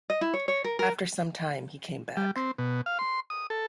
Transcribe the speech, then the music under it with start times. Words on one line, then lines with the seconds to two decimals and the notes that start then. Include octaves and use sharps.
After some time he came back.
0.10 D#5
0.21 E4
0.34 C#5
0.48 C#5
0.64 A#4
0.79 A#4
2.17 G3
2.36 C4
2.58 B2
2.86 F5
2.99 C6
3.30 D#6
3.50 A4